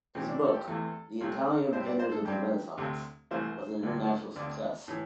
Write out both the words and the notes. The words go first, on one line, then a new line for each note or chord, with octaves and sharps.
His book "The Italian Painters of the Renaissance" was an international success.
A2 E3 C4 G4
D4
A4
G4
E2 E3 A3 C4 A4
C2 C3 A3 C4
A2 G3 C4 C5
D5
C5
A4
G2 G3 C4 G4
D2 C3 A3 C4
C2 C3 E3 A3 C5
D2 D3 G3 C4
D2 D3 C4 D5
A2 E3